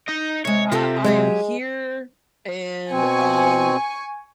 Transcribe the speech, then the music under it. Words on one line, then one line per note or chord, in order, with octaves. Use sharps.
I I am here, and, um
D#4 D#5
C3 G#3 C#5
C3 F4 G4 A4
F#3 G#3 G4 G#4
B2 C4 G#5 C#6